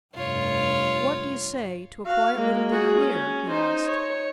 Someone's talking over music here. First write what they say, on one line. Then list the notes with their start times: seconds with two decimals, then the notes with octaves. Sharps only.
"What do you say to a quiet little dinner here?" he asked.
0.15 F1 G2 F4 C#5
2.05 F#4 F5
2.37 G#3 A#3
2.70 F#4 G#4
2.99 C#4
3.48 D#4 C5
3.88 C#5